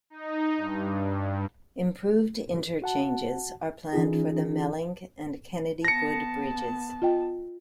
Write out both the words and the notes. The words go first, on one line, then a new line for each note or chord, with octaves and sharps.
Improved interchanges are planned for the Melling and Kennedy-Good bridges.
D#4
G2
F#4 F#5 A5
E3 C#4 D#4 F4 G#4
B3 A5 A#6 C#7
F4 D#5 G5